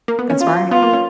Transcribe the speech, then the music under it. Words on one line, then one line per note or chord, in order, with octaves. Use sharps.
That's right.
A#3
B3
C#4
F4
B3 F4
A#3
C#4